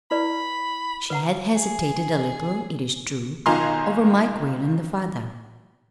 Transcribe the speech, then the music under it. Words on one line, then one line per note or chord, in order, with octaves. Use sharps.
She had hesitated a little, it is true, over Mike Whalen, the father.
E4 B4 D5 B5
B4 F#5 A#5
G#4
B1 D#3 F4 G#5 A#5 C6